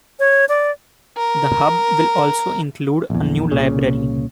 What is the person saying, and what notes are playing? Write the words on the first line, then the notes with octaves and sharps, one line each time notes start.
The Hub will also include a new library.
C#5
D5
A#4
A#1 E2
C2 A#2 C#3